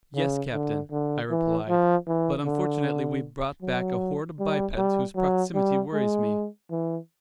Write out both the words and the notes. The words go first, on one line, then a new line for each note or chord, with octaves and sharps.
"Yes, captain," I replied, "but unfortunately we've brought back a horde of bipeds whose proximity worries me."
C#3
D3
D3
E3
F3
E3
D3
F#3
G3
G3
F#3
G3
G#3
E3